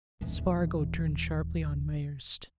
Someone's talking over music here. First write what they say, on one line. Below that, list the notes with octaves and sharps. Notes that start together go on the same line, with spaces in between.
Spargo turned sharply on Myerst.
D#1 E3